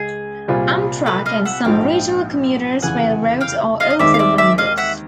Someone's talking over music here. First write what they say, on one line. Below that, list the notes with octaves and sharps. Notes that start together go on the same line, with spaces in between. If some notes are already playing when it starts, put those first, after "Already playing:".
Amtrak and some regional commuter railroads are also members.
Already playing: C#2 G#3 G#4
C2 A#2 G3 C4 F4
A4 B4
D#5 F5
E5 F#5
A#1 G#2 F3 F5 G5
F1 E2 C#3 E3 F#5 G#5
F5 G5
D#5 F5
D#5
D#2 D#3 G#3 C4 D#4 D5 E5
F5
D5 E5
D5 E5
D#5 F5
E5 F#5